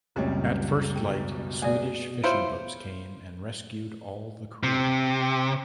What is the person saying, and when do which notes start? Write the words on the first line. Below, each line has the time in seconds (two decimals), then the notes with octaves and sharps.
At first light Swedish fishing boats came and rescued all the crew.
0.16 C#2 F#2 A#2 G3 A3 C4 C#5
0.96 B2 G5
1.62 A3 G#4 D5
2.23 E4 F4 C5 C#5 C#7 D7
4.63 C3